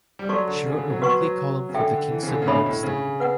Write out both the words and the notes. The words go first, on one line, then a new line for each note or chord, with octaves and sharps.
She wrote a weekly column for the "Kingston Whig-Standard".
G3
F#3 F#4 A4 D5 A5 C#6
D3
C#3
D3
F#3
F#3 F#4 B4 F#5 C#6
F#3
C#3
D3 A4 E5 G5
D3
E3
C#3
D3
C#3
B2 D4 A4 C#5 E5 B5
A2
C#3
B4 F#5